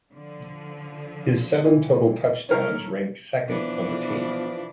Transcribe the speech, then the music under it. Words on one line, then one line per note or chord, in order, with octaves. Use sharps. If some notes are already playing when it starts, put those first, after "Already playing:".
His seven total touchdowns ranked second on the team.
D3 F3
E3
F#3 A3 C#4 A4 A#4 C#5
B2 E3 F3 D4